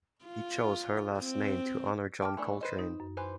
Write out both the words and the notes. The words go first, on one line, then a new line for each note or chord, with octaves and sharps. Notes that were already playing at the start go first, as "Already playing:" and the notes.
He chose her last name to honor John Coltrane.
F4
C4
G5 A5 D6 F6
E3 A3 D4
B4 C5 D#5
D#4
F#2
E3 B4 C5